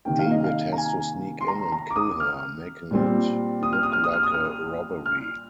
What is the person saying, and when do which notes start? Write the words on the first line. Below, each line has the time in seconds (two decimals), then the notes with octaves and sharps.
David has to sneak in and kill her, making it look like a robbery.
0.05 C3 D#3 A#3 G5
0.19 F5
0.31 D#5
0.44 F5
0.72 A#5
0.78 G#5
1.41 C6
1.48 A#5
1.72 A#5
1.91 D6
1.96 D#6
2.20 F6
2.91 A#2 G3 C4
3.63 D#6
3.73 F6
3.83 D#6
3.93 F6
4.04 D#6
4.13 F6
4.23 D#6
4.34 F6
4.44 D#6
5.06 F6